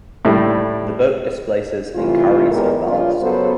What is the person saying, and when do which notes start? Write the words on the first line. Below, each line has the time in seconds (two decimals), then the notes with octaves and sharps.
The boat displaces and carries of ballast.
0.25 A2 G3
1.95 F#2 C3 E3 A3 F4
2.51 E2 G#2 G#3 B3 G4 A#4
2.86 G2 C#3 C#4 F4
3.22 C#3 F#3 B3 A4 B4 C5